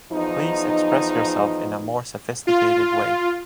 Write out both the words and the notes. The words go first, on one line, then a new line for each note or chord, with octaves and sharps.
Please express yourself in a more sophisticated way.
E2 F3 D#4
F4